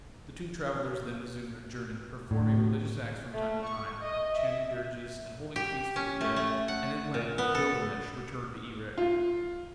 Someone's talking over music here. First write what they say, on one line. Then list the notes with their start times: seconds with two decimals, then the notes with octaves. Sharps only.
The two travellers then resumed their journey, performing religious acts from time to time; chanting dirges and holding feasts for the dead, and at length Gilgamesh returned to Erech.
2.31 A2
3.32 A3
3.65 C#6
4.01 D#5
4.34 E5
5.56 G4
5.96 C#4
6.21 A3
6.36 A3
6.68 F#5
7.14 A#2
7.38 B3
7.55 A4
8.98 F4